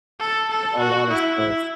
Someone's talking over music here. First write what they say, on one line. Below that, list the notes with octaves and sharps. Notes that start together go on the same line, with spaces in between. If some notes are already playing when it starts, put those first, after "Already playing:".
like, a lotta stuff
A4
A4
F#4
E4
E4